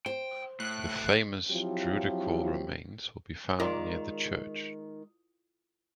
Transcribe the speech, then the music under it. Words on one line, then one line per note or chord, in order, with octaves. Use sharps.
The famous "druidical remains" will be found near the church.
C5 G5
A2 F#6
F3 F#3 C4 E4 F4 G4
D#3 G#3 F4 A#4 D5